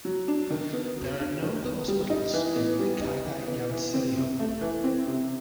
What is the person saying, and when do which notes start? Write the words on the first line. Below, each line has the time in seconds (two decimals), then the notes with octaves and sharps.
There are no hospitals in Cagayancillo.
0.05 F#3
0.28 D4
0.50 D#3
0.73 B3
0.96 F#3
1.20 D4
1.42 D#3
1.64 B3
1.88 G3
2.10 D#4
2.33 E3
2.55 B3
2.79 G3
3.01 D#4
3.25 E3
3.47 B3
3.71 E3
3.94 C4
4.16 C3
4.39 A3
4.61 E3
4.84 C4
5.07 C3